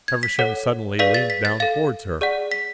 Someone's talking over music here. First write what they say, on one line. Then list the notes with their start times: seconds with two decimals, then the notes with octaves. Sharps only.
Feversham suddenly leaned down towards her.
0.08 G#6
0.23 B6
0.39 A4 C#5 F#5
0.99 G#4 B4 D5 F5 B6
1.14 A6
1.30 B6
1.45 A6
1.60 A4 F5 A6
2.21 G#4 D5 F#5
2.51 B6